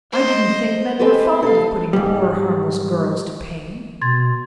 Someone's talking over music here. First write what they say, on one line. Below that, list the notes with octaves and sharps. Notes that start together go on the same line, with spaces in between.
"I didn't think men were fond of putting poor harmless girls to pain."
C5 D#5
G#3 C4 G4 A4 B4
A4 F5
G#2 G3
B2 C6 G#6 A6